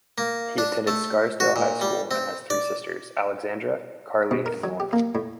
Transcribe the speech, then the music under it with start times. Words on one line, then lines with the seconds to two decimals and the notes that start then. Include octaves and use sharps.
He attended Scarsdale High School and has three sisters: Alexandra, Carly, and Lauren.
0.18 A#3
0.58 D4
0.87 A3
1.40 F#4
1.56 A#2
1.81 G3
2.11 C4
2.50 D5
4.31 B2
4.46 A#4
4.64 F#3
4.80 G4
4.93 A#3
5.15 A2